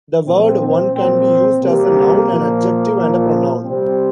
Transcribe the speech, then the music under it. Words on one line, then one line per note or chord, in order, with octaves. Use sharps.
The word one can be used as a noun, an adjective and a pronoun.
A#2 F3 C4
C4
A#2 F3 C4
C3 G3 A#3
A#2 F3
A#2 F3
C3 G3 C4